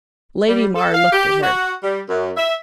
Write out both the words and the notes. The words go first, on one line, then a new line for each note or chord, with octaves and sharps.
Lady Mar looked at her.
G3
A4
F5
G4
F#4
G3
F#2
E5